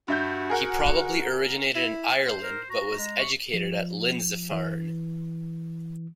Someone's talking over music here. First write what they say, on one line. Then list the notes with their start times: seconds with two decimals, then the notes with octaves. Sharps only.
He probably originated in Ireland but was educated at Lindisfarne.
0.08 G2 F#4 E5 G6
0.50 G#4 A#4 F#5
1.76 E4
2.27 C5
2.43 A#4
2.70 F#4 A#5
2.99 G#3
3.19 C#6
3.54 F3
4.52 E3